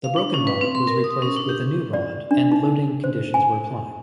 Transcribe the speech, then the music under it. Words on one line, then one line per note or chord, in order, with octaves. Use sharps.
The broken rod was replaced with a new rod and loading conditions were applied.
F5
D4
C#4
B4
C4
C6
A#4
D#6
C#4
D4
G4
D5
D4
D#4
C5
G#5